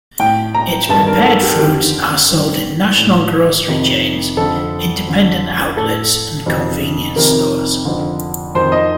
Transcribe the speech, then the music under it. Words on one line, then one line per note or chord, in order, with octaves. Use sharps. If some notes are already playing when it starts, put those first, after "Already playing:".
Its prepared foods are sold in national grocery chains, independent outlets, and convenience stores.
A2 G5
A#5
G2 D#3 A5
A#4
A4
G4
F2 D3 G4
G2 D#3
A2
F2 C3 D#3
F2 D3 A4
F2 D3
A2 A4
F2 C3 D#3
F2 C3 D#3 A#4
F2 D3
F2 D#3 C5
D#5